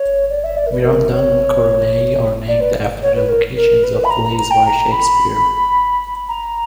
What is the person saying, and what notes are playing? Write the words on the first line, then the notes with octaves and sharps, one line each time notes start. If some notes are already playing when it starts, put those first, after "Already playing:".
Mirandan coronae are named after the locations of plays by Shakespeare.
Already playing: C#5
D5
E5
D5
A#4
B4
A#4
C#5
D5
B4
C#5
B4
A#4
A#4
B4
B5
A#5
A#5
A#5
G5
A#5
B5
A#5